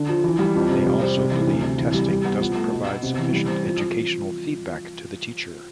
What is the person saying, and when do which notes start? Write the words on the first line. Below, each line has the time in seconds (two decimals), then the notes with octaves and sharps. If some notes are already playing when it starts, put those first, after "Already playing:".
They also believe testing doesn't provide sufficient educational feedback to the teacher.
Already playing: D3
0.09 F3
0.24 E3
0.39 G3
0.55 F2
0.70 C3
0.86 G3
1.01 C4
1.17 C3
1.32 E3
1.47 D2
1.63 C3
1.78 E3
1.94 G3
2.10 G3
2.25 B3
2.40 F3
2.55 A3
2.72 B2
2.86 B3
3.03 C3
3.18 E3
3.32 G3
3.48 C4
3.64 F3